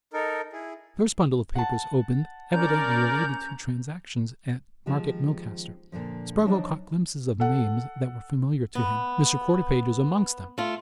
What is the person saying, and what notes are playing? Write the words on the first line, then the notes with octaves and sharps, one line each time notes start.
The first bundle of papers opened evidently related to transactions at Market Milcaster: Spargo caught glimpses of names that were familiar to him, Mr. Quarterpage's amongst them.
D#4 A4 A#4
E4 G#4
F#5 A5
C#4 A#4 D5 A#5 G6
D#3 F3 G#3 C4 G4
A#2 D3 D#3 F3
F3 F#3 D4 D#4 D#5
A4 F#5
B3
A3 F4